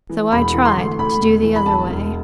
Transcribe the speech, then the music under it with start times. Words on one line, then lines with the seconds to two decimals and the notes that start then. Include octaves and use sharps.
So I tried--to do the other way.
0.09 E3
0.32 E1 B5
0.54 E3
0.65 C6
0.76 D2
0.98 D2 B5
1.21 E1
1.43 E3
1.56 B5
1.65 E1 A5
1.88 E1